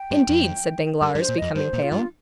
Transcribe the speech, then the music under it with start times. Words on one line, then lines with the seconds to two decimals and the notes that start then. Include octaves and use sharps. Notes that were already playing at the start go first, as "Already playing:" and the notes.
"Indeed?" said Danglars, becoming pale.
Already playing: G5
0.11 G2
0.29 F2
1.02 G2 A#4
1.15 G2
1.20 C5
1.29 A#2
1.38 F2 D#5
1.55 G2 C5
1.73 A#2
1.83 F4
1.92 G2